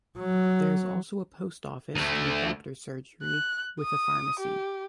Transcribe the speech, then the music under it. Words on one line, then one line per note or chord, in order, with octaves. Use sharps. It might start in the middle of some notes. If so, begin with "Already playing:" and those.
There is also a post office and doctors' surgery with a pharmacy.
F#3
D2 A3
F#6
D#6
G4